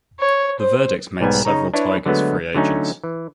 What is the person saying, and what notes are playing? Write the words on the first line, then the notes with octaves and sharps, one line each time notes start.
The verdict made several Tigers free agents.
C#5
C5
B1 G#2 G3 B3 G#5
C#3 D#4 C#5 A#5
D4 E4 B4 C#5
D3 F#3 G#3 A3 B3
D3 F#3 A3 C#4 D#4
E3